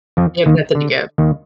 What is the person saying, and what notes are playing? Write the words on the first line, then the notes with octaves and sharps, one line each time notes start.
You have nothing to give.
F2 F3
D#2 D#3
D3
D#2 D#3